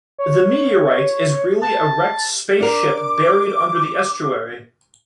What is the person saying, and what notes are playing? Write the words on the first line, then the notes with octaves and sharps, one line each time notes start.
The meteorite is really a wrecked spaceship buried under the estuary.
C#5
A5
D4 A#4 D6